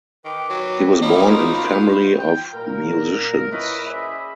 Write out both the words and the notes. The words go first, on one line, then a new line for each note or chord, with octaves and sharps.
He was born in family of musicians.
D#3 B4 G5 D6
F#3
A#3 C#4 D#4 F4 B5 D6
F#4 C5 F5
G5
A#2 F#3 A#4
C#4 E4 B4 D#5 B5
G#4 C5 D5 E5 B5